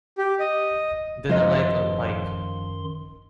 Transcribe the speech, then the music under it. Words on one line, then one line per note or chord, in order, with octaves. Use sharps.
Then a right on Pike.
G4
D#5
F#2 D#3 F3 D#4 D#5 F5 C6